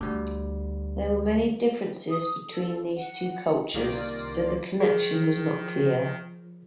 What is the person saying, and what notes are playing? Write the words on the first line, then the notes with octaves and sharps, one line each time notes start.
There were many differences between these two cultures, so the connection was not clear.
D2 D3 G3
D#6
A4
F#5
C2 D#3 A#3 F4 D5
D#3 F3 G#4